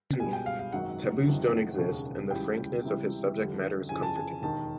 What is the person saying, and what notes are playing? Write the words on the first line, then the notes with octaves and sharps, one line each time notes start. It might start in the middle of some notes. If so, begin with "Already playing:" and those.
Taboos don't exist, and the frankness of his subject matter is comforting.
C#2 B2 G3 G#5
G5
F5
F5
G#1 F#2 D#3 F#3 F#5
G1 F2 C3 D#3
E1 D#2 C#3
C#2 C#3 E3 G3 G5
C#2 C3 E3 G3
F2 D3 G3
F2 C#3 E3 G#5
A5
G#5
E1 D#2 D#3 A5